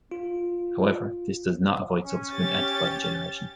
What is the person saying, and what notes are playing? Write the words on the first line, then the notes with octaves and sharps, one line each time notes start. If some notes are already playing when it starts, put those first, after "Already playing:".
However, this does not avoid subsequent antibody generation.
F4
C#4
G4 A6